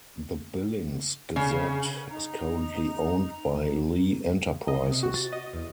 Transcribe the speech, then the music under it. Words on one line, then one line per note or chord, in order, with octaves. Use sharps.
The Billings Gazette is currently owned by Lee Enterprises.
C#3
D#4 A#5
D#5
C3
F#4
A6
D#5
E2